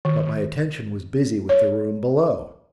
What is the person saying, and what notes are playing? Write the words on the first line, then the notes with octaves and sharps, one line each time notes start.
But my attention was busy with the room below.
D#3
C#5